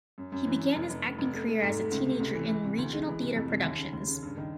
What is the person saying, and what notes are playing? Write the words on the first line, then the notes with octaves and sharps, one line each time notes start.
He began his acting career as a teenager in regional theater productions.
F#2
F#2
E3
F#2
F1
F1
F1
F1
A3
A3
G#2
A3
C#2
C3
C#2
E3
E3
C3
D2
G#3
E3
C3
F2
C3
D#2
C#3
D#2
C#3
G2
D#3